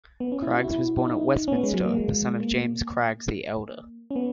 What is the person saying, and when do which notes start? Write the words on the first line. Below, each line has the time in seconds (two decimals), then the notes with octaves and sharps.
Craggs was born at Westminster, the son of James Craggs the Elder.
0.20 B3
0.32 C#4
0.42 E4
0.54 F#4
0.64 E4
0.99 E4
1.08 D#4
1.48 C#4
1.52 B3
1.63 G#3
1.74 F#3
1.85 A#3
1.97 G#3
2.40 A#3
4.11 C#4
4.16 B3